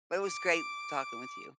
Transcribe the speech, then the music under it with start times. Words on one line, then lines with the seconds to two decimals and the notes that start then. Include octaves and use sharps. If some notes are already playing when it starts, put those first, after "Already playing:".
but it was great talking with you.
0.25 D6